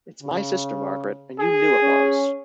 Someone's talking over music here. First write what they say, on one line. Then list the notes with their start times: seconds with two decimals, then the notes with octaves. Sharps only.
It's my sister Margaret, and you knew it was!
0.22 C#3
1.39 G#4
1.83 C#4